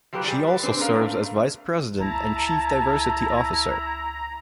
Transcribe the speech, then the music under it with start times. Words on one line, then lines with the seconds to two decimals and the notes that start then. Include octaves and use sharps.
She also serves as Vice President and Chief diversity officer.
0.13 F3 F#3 G4 B4
0.24 G3 G#4
0.48 B4
0.63 C4 D4 B4
0.78 B2 C#4 A#4 B4 F5
0.95 A3
2.00 C#2 E4 A5 A#5